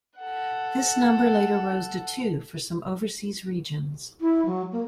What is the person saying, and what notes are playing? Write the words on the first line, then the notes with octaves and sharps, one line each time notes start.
This number later rose to two for some overseas regions.
A4 F#5
E4
F#3
A#3